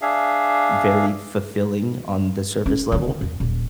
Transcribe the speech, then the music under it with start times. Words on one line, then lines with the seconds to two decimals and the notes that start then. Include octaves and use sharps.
very fulfilling on the surface level.
0.02 D4 G#4 E5 F5
2.66 C#4
2.92 D2 D#3
3.21 E2
3.40 D#1